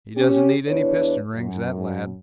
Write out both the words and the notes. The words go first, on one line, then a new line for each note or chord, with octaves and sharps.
He doesn't need any piston rings, that lad.
C#4 G4
E2 D4 E4 B4 C#5
F#2